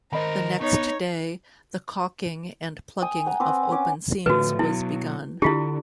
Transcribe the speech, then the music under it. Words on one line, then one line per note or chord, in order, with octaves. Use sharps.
The next day the caulking and plugging of open seams was begun.
D#3 A#4 C5 D#5 B5
B3 D#4 C#5
G5 G#5 D#6
F#5 G#5 A#5
C4 B4 D6
C#4 D6
A2 D3 F3 F#4 B4
B2 F#3 E4
D3 D4 E4 F4 G4